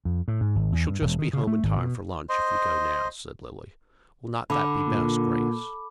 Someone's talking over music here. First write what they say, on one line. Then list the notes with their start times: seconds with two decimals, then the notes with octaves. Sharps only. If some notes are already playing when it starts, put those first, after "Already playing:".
"We shall just be home in time for lunch if we go now," said Lily. "Will not that be best, Grace?"
0.05 F2
0.28 A2
0.41 G#2
0.55 G#1
0.72 E2
0.87 G2
1.01 E1
1.19 D#3
1.33 C#3
1.47 A3
1.63 G#1
1.76 B2
2.29 C5 D#5 C6
4.50 D3 B5 D6
4.87 A#2